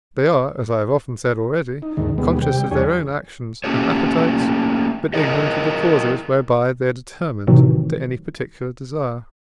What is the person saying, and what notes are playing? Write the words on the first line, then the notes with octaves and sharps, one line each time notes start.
They are, as I have often said already, conscious of their own actions and appetites, but ignorant of the causes whereby they are determined to any particular desire.
D#4
D#2 G#2 D3 D#3
D#2 B2 G3 G#3 B3
C3 G3 G5
E2 G3 D4 C#5 G#5
A3 A#3 C#4 G4 G#4 C#5
E4 G#4 A#4 C#5 D#5
A2 C3 D#3 E3 F#3